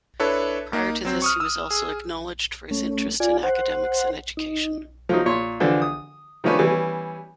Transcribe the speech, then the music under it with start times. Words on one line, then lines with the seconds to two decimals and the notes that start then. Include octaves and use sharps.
Prior to this, he was also acknowledged for his interest in academics and education.
0.20 D4 E4 A4 B4 C#5
0.73 A#3 D#4
1.05 F#3 C4 C5
1.22 C#6 D#6 F6
1.40 D#6 E6
1.71 G#4
2.71 A3 C#4
3.20 F4 D5 G#5
3.43 C5 F#5
4.37 D#4
5.09 F3 F#3 D#4
5.26 A#2 C#5 C6
5.60 D3 E3 F3 D4
5.82 D#6
6.44 D#3 F3 A3 C#4 D4 B4
6.59 E3 G3 B3 C#4